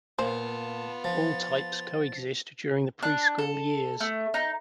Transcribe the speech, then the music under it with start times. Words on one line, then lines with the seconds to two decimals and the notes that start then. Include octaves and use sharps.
All types coexist during the preschool years.
0.19 A#2 B3 F4 C5 A5
1.04 F3 A6
3.03 D4
3.39 A4
4.00 A3
4.34 D#4